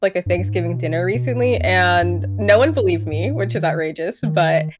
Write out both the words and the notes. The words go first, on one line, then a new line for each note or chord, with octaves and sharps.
like, a Thanksgiving dinner recently, and no one believed me, which is outrageous, but
G2
G2
G#2
A#2
B2
B2
A#2
G#2
G2
E2
G2
G2
G#2
G#2
A#2
D#3
D#3